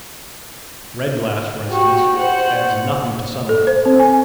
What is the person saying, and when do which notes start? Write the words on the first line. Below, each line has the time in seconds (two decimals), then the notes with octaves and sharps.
Red glass for instance adds nothing to sunlight.
1.70 F#4 G4
2.17 C5 F#5
3.49 A4
3.67 C5
3.85 C4
4.00 G#5